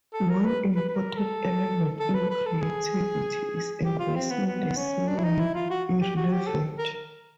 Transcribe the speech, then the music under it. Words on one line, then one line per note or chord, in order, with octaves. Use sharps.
One important element in creativity is embracing the seemingly irrelevant.
A4
A#4
B4
B4
B4
A#4
A4
A4
B4
B4
A4
G#4
G4
F4
C4
B3
B3
C#4
D4
E4
D#4
E4
F4
F#4
G4
F#4
G4
A4
A#4